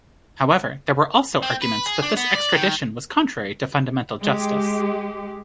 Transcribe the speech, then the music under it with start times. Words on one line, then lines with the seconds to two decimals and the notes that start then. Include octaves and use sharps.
However, there were also arguments that this extradition was contrary to fundamental justice.
1.43 C4
1.62 B4
1.86 G#4
2.02 D4
2.17 B3
2.35 D5
2.52 D#3
4.21 G#3 G4